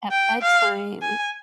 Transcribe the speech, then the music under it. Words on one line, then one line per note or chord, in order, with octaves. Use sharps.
at bedtime,
G5
F5
G#5